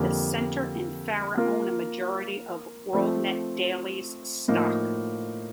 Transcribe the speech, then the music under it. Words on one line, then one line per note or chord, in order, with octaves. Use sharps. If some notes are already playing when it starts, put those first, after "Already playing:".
The Center and Farah own a majority of WorldNetDaily's stock.
Already playing: F2 D3 G3 A#3
A#3 F4 A#4
F3 A3 C4
A2 F3 A#3 D#4